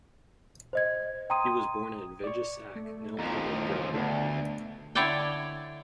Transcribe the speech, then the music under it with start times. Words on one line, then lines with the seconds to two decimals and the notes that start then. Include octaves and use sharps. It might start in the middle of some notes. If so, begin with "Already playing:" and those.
He was born at Vegesack, now part of Bremen.
0.73 C5 D#5 G#6
1.30 G5 A#5 C6 D#6 D#7
2.24 D5 C#6
2.76 A3
3.19 D#2 F3 A#5
3.94 D2 B3 D4 A4
4.95 D3 E4 C#5 D5 G5